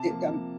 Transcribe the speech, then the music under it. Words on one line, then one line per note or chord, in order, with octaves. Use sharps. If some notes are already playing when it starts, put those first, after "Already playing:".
it, um
Already playing: C3 A5
F3 A#3
C3